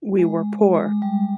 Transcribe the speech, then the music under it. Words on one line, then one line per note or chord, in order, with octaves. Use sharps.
We were poor.
G#3
G#3
G3